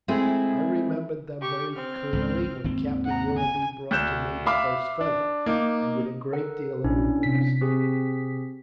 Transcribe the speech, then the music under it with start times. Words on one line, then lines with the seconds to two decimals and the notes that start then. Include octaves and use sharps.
I remembered them very clearly when Captain Willoughby brought to me the first feather, and with a great deal of remorse.
0.08 G#3 A3 C4 E4 G#4
1.41 G4 C#6
1.75 C4 F6
2.13 G#1 C#2
2.64 G#1 D#2 C4
3.05 F#5 A#5
3.36 G#5
3.91 D2 F#6 G6 E7
4.46 E5 F5 B5 D6
5.01 D4
5.46 A#3 D#4
6.32 A4 A#4 F#5
6.84 A#1 C#4 D4 E4
7.23 C3 B6
7.61 C4 G4 G#4